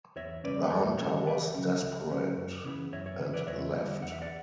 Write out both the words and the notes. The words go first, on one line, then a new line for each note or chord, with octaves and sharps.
The hunter was desperate and left.
E2 C#5 E5
C#3 G3 C#4 B4 D5
B4
E2 A4 C#5
C#3 G3 C#4 A4 C#5
C#2 B4 D5
C#3 F#3 C#4
C#2
C#3 F#3 C#4
F#2
C#3 E3 B3
F#2 C#5 E5
C#5 E5
C#3 E3 B3
B4 D5
E2 C#5 E5
D3 G3 B3
E2 F#5
E5
D5 F#5